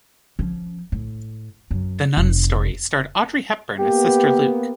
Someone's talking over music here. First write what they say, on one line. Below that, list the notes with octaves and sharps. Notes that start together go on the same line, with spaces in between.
"The Nun's Story" starred Audrey Hepburn as Sister Luke.
F3 C#4
A2
F#2
F1
A#3 B3 G4